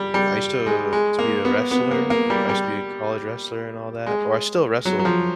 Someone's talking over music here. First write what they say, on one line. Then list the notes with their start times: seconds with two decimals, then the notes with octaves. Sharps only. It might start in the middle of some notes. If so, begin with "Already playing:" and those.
I used to to be a wrestler, I used to be a college wrestler and all that or I still wrestle,
Already playing: G3
0.14 G3
0.66 G#3
0.93 G#3
1.19 A#3
1.45 B3
1.71 B3
1.91 A#3
2.10 A#3
2.30 G3
2.49 G3
4.06 G#3
4.85 F#3
4.99 F#3
5.05 F3